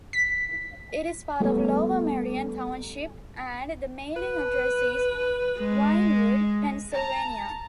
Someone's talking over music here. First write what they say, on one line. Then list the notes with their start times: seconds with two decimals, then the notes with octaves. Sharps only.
It is part of Lower Merion Township, and the mailing address is Wynnewood, Pennsylvania.
0.13 B6
1.40 G3 A3 B3
4.17 B4
5.60 G#3
6.91 A5 A#5